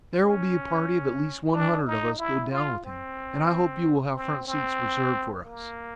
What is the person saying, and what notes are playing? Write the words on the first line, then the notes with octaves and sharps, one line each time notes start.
There will be a party of at least one hundred of us go down with him, and I hope you will have front seats reserved for us.
C#4
D4
D#4
E4
F4
C4
C4
C4
A#3